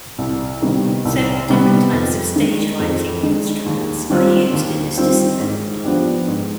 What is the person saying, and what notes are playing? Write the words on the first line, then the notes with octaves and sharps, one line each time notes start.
Several different types of stage lighting instruments are used in this discipline.
C2
C3 D#3 G3 B3
C2
C3 D#3 G3 B3
F2
D#3 G#3 D4
F2
D#3 G#3 D4
D#2
D#3 G3 C4 F4
D#2
D#3 G3 C4 F4
G#2
F3 B3 D4 G4
G#2